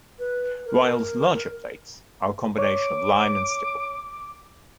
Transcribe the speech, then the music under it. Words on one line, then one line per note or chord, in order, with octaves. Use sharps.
Ryall's larger plates are a combination of line and stipple.
B4
A#4
C#5 D6